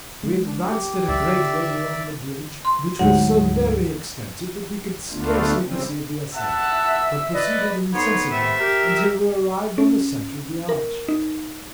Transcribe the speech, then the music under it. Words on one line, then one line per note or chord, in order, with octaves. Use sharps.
We advanced at a great rate along the bridge, which was so very extensive that we could scarcely perceive the ascent, but proceeded insensibly until we arrived on the centre of the arch.
G#3
D4
G4
C#2 F#2 G3 D5 E5
D3 D#3
C6
D2 G#2 F#3 F#5
D2 D3 A3 B3 D4 F4
C#3 G3 C4
E5 F#5 A5
B4 D5 D#5
D2 B3 D#4 C#5 C6
C3 D#3 A3 E5
G4 A#4
C#4
A#4
D#4